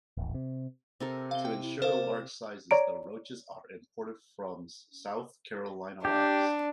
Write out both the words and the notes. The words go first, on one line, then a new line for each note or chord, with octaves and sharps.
To insure large sizes the roaches are imported from South Carolina labs.
D#1 A1
C3
C3 A4 A#4
C4 F5 G7
G5
E4
A#4 C5 F5 A5 D6
C#5 D5 A#5 D7
D4 G4